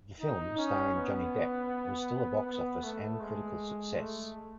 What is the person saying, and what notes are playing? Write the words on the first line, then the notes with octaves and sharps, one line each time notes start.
The film, starring Johnny Depp, was still a box office and critical success.
D#4
C#4
B3
B3
A3
G#3
A3